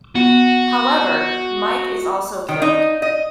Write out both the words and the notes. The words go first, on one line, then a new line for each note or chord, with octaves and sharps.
However, Mike is also killed.
B3 F#4
D#3
D#4
D#5